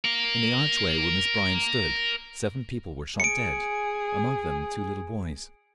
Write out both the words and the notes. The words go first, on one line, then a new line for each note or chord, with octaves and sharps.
In the archway where Miss Bryant stood seven people were shot dead, among them two little boys.
A#4 F5
G#4 C#7 D7